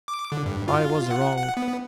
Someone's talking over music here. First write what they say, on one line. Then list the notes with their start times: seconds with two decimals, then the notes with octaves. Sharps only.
I was wrong.
0.08 D6
0.32 D3
0.46 G2
0.68 F4
1.11 F#5
1.38 F#5
1.57 B3